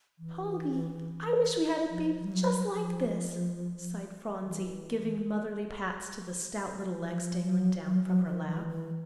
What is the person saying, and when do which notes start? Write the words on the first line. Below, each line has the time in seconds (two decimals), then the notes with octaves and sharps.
"Polly, I wish we had a baby just like this," sighed Phronsie, giving motherly pats to the stout little legs dangling down from her lap.
0.19 E3
1.90 F3
2.23 G3
2.33 F#3
2.74 F3
4.44 E3
7.00 F3
7.42 F#3
7.85 F#3
8.06 F#3
8.27 F3
8.48 E3
8.69 E3